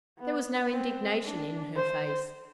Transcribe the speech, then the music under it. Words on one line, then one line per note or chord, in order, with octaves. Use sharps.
There was no indignation in her face.
B3
C4
D4
C5